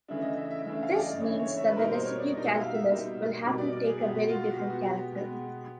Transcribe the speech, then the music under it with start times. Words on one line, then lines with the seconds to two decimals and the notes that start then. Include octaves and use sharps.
This means that the residue calculus will have to take a very different character.
0.08 C#3 E3 A3 D4 E5
0.22 D#5
0.37 E5
0.51 E5
0.65 C#3 E3 A3 D4
0.83 F5
0.96 D5
1.01 D#5
1.20 C#3 E3 A3 D4 C#5
1.39 C#5
1.58 E5
1.68 B4
1.77 B2 G3 A#3 D#4 A#4
1.91 C5
2.05 C#5
2.19 D5
2.33 B2 G3 A#3 D#4 D#5
2.47 E5
2.60 F5
2.74 E5
2.89 B2 G3 A#3 D#4
3.44 B2 G3 A#3 D#4
3.58 D5
3.73 D5
3.86 G#4
4.01 B2 G#3 B3 G4
4.14 F#4
4.29 F4
4.43 F#4
4.56 B2 G#3 B3 G4
4.70 F#4
4.82 G4
5.12 B2 G#3 B3